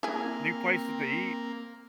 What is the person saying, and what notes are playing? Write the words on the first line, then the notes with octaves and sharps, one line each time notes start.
New places to eat,
A#3 C4 E4 G#4